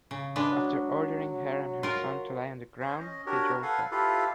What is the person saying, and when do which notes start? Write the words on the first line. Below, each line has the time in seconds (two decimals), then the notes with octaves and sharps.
After ordering her and her son to lie on the ground, he drove off.
0.11 C#3
0.36 G#3 D4 B4
0.52 F#3
1.83 F4 A#4
2.80 C5 G#5
3.00 C#4 D#5
3.26 D4 F#4 G4 A#4 C#5
3.63 A4 B4 F5 F#5 G#5
3.91 E4 F4 G4 A4 B4 F5